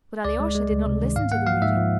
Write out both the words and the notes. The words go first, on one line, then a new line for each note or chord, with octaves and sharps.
But Alyosha did not listen to the reading.
C#2 D5
G#3
G#3
C#2
C3
D#3
G#2 F5
A#3 F#5
F3 F5
G#2 E5
F3